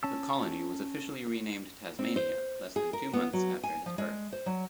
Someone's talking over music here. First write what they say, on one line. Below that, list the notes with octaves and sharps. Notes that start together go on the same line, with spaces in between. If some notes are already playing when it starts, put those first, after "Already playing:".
The colony was officially renamed Tasmania less than two months after his birth.
C#4 A5 E6
C4
C5
G#4
A#4
B3
F#3
G#5
F3
G#3
C5
F#3